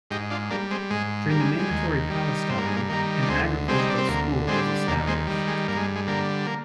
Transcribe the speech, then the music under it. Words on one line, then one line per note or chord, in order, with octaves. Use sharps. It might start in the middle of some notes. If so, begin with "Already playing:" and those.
During the Mandatory Palestine, an agricultural school was established.
G#2 D#4 G4
D4 F4
G3 A#3 D4
G#3 C4
G#2 G#3
G3 A#3
G#3
G#3
D#2
D#3 G3
G2 C4
A#3
G#3
A#3
D#3 G3 A#3
D4
D2 G#3 C4
C3 G3 G#3 C4
D#4
D4
C4
D2 A#3
D3 G3 G#3 C4
D#2 A#3 D4
G#3 C4
D#3 G3
G#3
G2 A#3
G#3
G#3
D3 G3 A#3
A#3